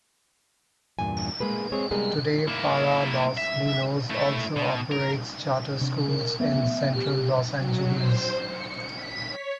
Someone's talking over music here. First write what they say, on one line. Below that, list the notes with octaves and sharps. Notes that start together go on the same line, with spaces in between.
Today Para Los Ninos also operates charter schools in Central Los Angeles.
E2 G2 A#2 G#5
G#3 A#3 G#4 B4
G#3 C4 G#4 C#5
C3 G3 G#3 B3 G#4 A#4
A#3 E4
E5
A3 E4
B2
A#4
C3 D4
A#4
F3 A3 B3 E5
G4
F#3
C5
C#7
B6
C#5